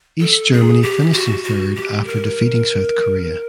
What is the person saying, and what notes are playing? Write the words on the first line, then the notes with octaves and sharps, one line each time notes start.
East Germany finished in third after defeating South Korea.
A4
G#4
G4
F#4
F#4
G4
A#4